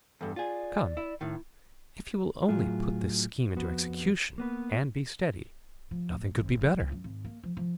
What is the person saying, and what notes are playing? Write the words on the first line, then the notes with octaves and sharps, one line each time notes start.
"Come, if you will only put this scheme into execution, and be steady, nothing could be better."
E2 G2 A4
F4 G#4 D5
E4
A2 D#3 E4
A2 F#3 F4 G#4
F2 B3 F#4 B4
A#3 B3 B4
F3
A2
G#1
F#3
C#2
F#2
G#1
A#3
F3
F3